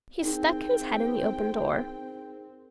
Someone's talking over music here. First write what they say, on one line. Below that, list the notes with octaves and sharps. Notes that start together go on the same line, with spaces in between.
He stuck his head in the open door.
C4 D#4 G#4 A#4 G5